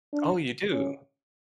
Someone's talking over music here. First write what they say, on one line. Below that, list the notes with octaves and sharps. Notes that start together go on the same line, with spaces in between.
Oh, you do?
D4
C#4